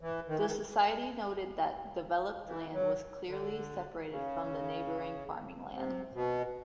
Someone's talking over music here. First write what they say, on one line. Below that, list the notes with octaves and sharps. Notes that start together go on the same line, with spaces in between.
The Society noted that developed land was clearly separated from the neighboring farming land.
E3
D#3
E3
D#3
E3
F#3
D3
C#3
C3
B2